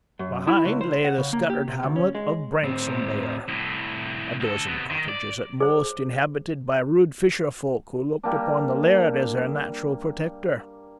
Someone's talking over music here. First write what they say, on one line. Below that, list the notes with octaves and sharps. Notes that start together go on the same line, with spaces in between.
Behind lay the scattered hamlet of Branksome-Bere--a dozen cottages at most--inhabited by rude fisher-folk who looked upon the laird as their natural protector.
F#2
E4
C#2
C5
F#5
C#3
A#3
G4
C3
D2
C#4
G#3
A2 C4
C2 A2
D2 A4
C3 B3
D#3
D5
G#4 C5
G3 A#3 D4